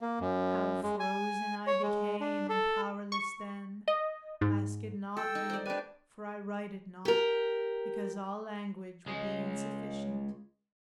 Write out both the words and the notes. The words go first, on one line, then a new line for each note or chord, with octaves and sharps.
How frozen I became and powerless then, Ask it not, Reader, for I write it not, Because all language would be insufficient.
A#3
F#2
G#3
G#5
C#5
G#3
D4
A4
C#6
D#5
G#2
A4 G5 E6
D#4
C5 D5
D4 G4 B4 G#5
G4 A#4
C#2 G#3